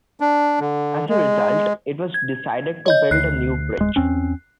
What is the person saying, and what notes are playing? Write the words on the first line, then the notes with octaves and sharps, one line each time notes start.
As a result, it was decided to build a new bridge.
D4
D3
G#3
G#6
C#5 D#5 G6
D2 F#6 C7
D1 G#3
E2 C4 C#4